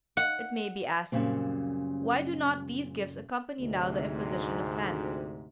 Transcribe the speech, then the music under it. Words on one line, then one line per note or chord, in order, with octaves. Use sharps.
It may be asked: Why do not these gifts accompany now the imposition of hands?
F#5
F#2 A#2 C#3 G3 C4
D2 G#2 C3